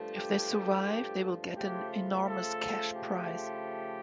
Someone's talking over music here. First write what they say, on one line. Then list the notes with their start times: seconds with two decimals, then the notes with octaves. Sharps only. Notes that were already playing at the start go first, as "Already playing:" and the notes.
If they survive they will get an enormous cash prize.
Already playing: G2 F3 A3
0.16 G4
1.56 C#3 F3 A3 G4
2.26 A4
2.96 G4